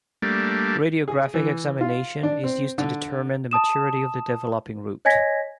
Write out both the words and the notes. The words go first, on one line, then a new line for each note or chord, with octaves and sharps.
Radiographic examination is used to determine the maturity of the developing root.
G3 A3 A#3 D4
G#4
E3
F4
D4
C4
D3
A5 D#6 E7
C#5 D#5 G#5 G#6 A#6 B6